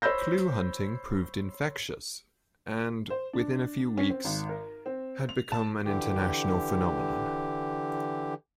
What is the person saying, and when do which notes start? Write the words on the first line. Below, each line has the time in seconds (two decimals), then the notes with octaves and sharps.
Clue-hunting proved infectious and, within a few weeks, had become an international phenomenon.
0.02 C5 C#5 B5 E6 G6 A#6
3.10 C5
3.33 D4
3.98 C#4
4.10 C4
4.25 G#1
4.49 A#4
4.86 C4
5.29 F7
5.52 A5
5.85 D3 E3 G4